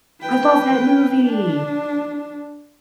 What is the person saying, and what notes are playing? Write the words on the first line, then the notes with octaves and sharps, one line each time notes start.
I love that movie!
B4 G5
D4